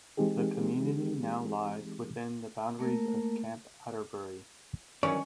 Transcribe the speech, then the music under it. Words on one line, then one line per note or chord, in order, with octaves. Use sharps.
The community now lies within the boundaries of Camp Atterbury.
E3 G#3 C4 D#4 G4 G#4
A3 A#3 A#4
D#3 E3 F#3 C#4 D5 C#6